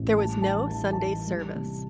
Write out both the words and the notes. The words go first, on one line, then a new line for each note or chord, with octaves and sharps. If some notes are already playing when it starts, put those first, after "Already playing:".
There was no Sunday service.
Already playing: A1
G3 A5
E3 A5
A5
E3
A5
E3
G3
C3